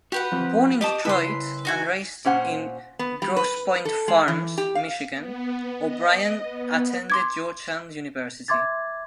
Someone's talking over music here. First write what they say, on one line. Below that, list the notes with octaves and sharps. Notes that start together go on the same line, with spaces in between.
Born in Detroit and raised in Grosse Pointe Farms, Michigan, O'Brien attended Georgetown University.
F#4 G4 B4 F#5
F3 C4 F4
G4 D#5 A5 D6 D#6
C#3 E4 B4 C6
D#4 F#4 G#5
A#2 C#4 C5 F#5
B3
G3
B4
A4
G#3
E3
G4
F5
B3
D#5
B3
C6 D6 G#6
E5 C6 D6 G#6 A6